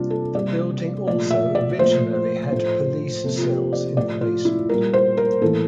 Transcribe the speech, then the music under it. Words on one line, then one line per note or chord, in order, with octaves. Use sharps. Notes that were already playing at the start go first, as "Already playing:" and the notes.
The building also originally had police cells in the basement.
Already playing: C3 G3 A#3 D4 F4
A4
C3 G3 A#3 D5
A#2 F3 A3 D5
E5
D5
A#2 F3 A3 C5
A2 F3 A3
C3 F3 A#3 A4
F4
G4
D5
A2 F3 A3 D5
F4
E4
A#2 G3 A#3 A#4
C5
A#4
A2 E3 A#3 A4